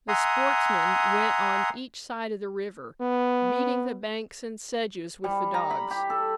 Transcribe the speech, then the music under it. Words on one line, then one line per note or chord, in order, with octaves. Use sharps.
The sportsmen went on each side of the river, beating the banks and sedges with the dogs.
E5 F#5 G#5 A#5 C6 D#6
B3
G3
A#5
B5
G4
A4